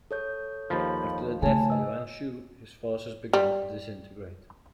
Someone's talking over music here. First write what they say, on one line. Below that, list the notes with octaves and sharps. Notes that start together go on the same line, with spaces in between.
After the death of Yuan Shu, his forces began to disintegrate.
A4 C#5 G6
D#2 F3 B5
C#3 A3 G#5 A5
B4 D#5 E6
G3